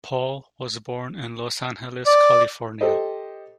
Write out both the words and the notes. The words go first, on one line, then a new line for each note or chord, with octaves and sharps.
Paul was born in Los Angeles, California.
D5
G4 A4 C5 D#5